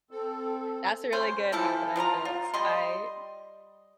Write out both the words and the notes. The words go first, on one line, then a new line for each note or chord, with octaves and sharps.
that's a really good habit I've built. I
C4 A4
C#4 C5
E3 F3 E4 A4
F3 F4 A4 A#5
F4
G3 D#5 C6